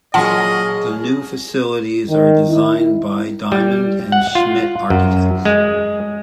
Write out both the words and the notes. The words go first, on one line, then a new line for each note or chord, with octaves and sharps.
The new facilities are designed by Diamond and Schmitt Architects.
A#2 F#3 C#4 G#4 D#5 F#5 A5 C6
D#3
E4
G3
F#5
F4
F#2
G#3